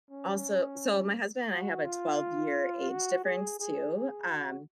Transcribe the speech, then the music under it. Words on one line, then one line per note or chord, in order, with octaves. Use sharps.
also So my husband and I have a twelve-year age difference too, um
C#4
F#4
F4
F#4
G#4
G#4
G#4
F#4